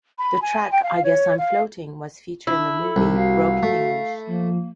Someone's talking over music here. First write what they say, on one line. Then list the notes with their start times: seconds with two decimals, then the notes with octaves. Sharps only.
The track "I Guess I'm Floating" was featured in the movie "Broken English".
0.18 B5
0.42 G#5
0.71 G5
0.84 F5
1.05 C#5
1.39 F5
2.47 D4 E4
2.81 A4
2.96 C2 D#3
3.16 F#4 F5
3.63 A3
4.27 F3 A#3